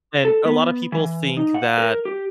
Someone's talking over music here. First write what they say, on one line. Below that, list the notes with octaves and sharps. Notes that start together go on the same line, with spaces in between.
And a lot of people think that,
A4
B3
E3
D#4
F#5
A#4
G4